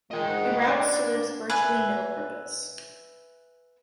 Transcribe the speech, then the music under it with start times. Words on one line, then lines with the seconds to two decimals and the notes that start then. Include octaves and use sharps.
The route serves virtually no purpose.
0.11 A#2 G#3 D#5 G5
0.27 G#2 F#5
0.51 F#4 B4
0.67 D4 D5
1.50 B4 E5 G#5